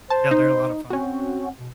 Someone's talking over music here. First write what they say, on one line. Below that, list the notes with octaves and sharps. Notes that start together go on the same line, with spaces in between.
Yeah, they're a lot of fun.
C5 A5
D#4
C4 C#4 F#4
B2